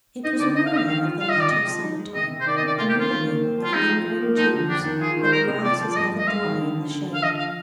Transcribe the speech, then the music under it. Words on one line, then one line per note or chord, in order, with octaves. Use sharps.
It was a morning of the latter summer-time; a morning of lingering dews, when the grass is never dry in the shade.
D#4 D#5
D3 D5
D#4 D#5
F5
D3 D#5
F5
D#3 F5
F4
F4 F5
D#5
D#3 D5
C3 D#5
F3
D#4
G#3
C3 D#5
C3
C5
D#3 D5
D#5
C3 D5
A#3 F4
G4
D#3
F4
D#3
A#3
C4
F3
F4
C4 D#4
F4
F3
A#3
F3 D#4
D3
F2 D4
D#3
F4 G#4
D#3
C5
G#3 A#4
C3
F3 D5
F3
D5
G2 D#5
G2
D#5
G#3 F5
D#3
D3
D3
D3
D3
F5
F3 D#5
F5